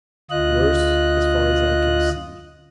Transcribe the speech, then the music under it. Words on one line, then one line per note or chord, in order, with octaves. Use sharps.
'Worse, as far as I can see.
D2 F4 D#5 F#6